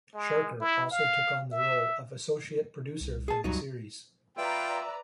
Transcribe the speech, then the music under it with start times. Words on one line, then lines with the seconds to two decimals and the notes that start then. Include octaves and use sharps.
Sarker also took on the role of associate producer for the series.
0.14 G#3
0.61 E4
0.91 F5
1.51 E5
3.01 C2
3.28 G#4 A5
3.44 C#2 G2 F#3 D#4
4.37 F4 B4 D5 E5 G5 A#5